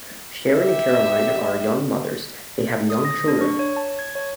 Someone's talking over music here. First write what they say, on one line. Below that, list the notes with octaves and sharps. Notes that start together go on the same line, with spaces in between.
Sharon and Caroline are young mothers, they have young children.
G4 E5
D#6
A#6
D4
C#6
C#5
A5
G#6
C#5